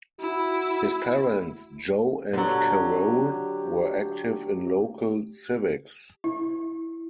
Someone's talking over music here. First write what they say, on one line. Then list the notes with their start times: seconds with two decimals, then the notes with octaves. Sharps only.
His parents, Joe and Carole, were active in local civics.
0.20 E4 F#4
2.33 D3 F#3 G4
6.24 E4